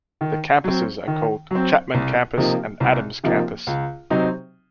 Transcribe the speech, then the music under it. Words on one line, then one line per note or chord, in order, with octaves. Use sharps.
The campuses are called Chapman Campus and Adams Campus.
D#3
F#3 C4
D#3
F#3 C4
C2
C3 F3 A#3 D#4
C2
C3 F3 A#3 D#4
C#2
C3 F#3 C4 D#4